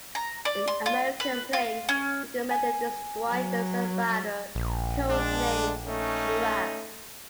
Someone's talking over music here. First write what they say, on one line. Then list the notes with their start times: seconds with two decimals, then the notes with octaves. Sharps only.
An American plane recommended destroying the Serb radar, code-named Giraffe.
0.15 A#5
0.45 D5
0.68 C6
0.86 F4
1.20 B4
1.53 F4
1.89 C#4
2.51 G#5
3.28 F#3
4.55 A#1
5.10 G#3 D4
5.87 A3 C#4 D#4